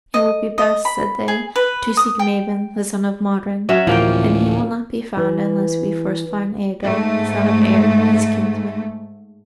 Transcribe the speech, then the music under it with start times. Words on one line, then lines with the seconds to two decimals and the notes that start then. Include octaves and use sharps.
"It will be best," said they, "to seek Mabon the son of Modron; and he will not be found unless we first find Eidoel, the son of Aer, his kinsman."
0.14 D#5
0.58 D#5
0.85 B5
1.28 G#4
1.56 B4
1.97 D#6
2.19 G5
3.69 F#3 C#4 E5
3.87 D1 A2 E3 F3 A#3 G5
5.17 E3
6.83 G#2 A3